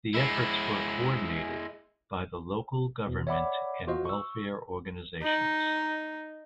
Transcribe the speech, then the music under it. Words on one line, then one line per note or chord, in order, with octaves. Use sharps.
The efforts were coordinated by the local government and welfare organizations.
G#3 E4
E2 B2
C#5 D5 E5 F#5 B5 D6
F4 F#4 C5 D#5
C#6 E6
D#4